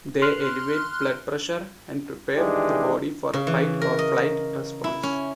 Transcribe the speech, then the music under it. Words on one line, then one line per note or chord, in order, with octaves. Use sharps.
They elevate blood pressure and prepare the body for a fight or flight response.
C6 F6 F#6
D#3 E3 G#3 D4 G4
C#3
E3
A#4
D#5
E4
C#4